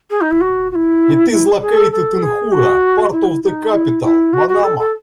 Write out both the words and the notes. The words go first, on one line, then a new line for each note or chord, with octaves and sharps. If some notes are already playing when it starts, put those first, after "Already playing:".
It is located in Hoora, part of the capital, Manama.
G#4
D#4
E4
F#4
F#4
E4
E4
G#4
A4
A4
G#4
F#4
E4
E4
D#4
E4
E4
F#4
F#4
A4
A4